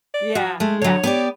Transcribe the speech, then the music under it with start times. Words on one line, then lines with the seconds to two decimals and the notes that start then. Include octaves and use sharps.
Yeah, yeah.
0.14 D5
0.35 F3 F#4
0.60 G#3 A3
0.82 D3 F#3 C#5
1.04 B3 G4 D5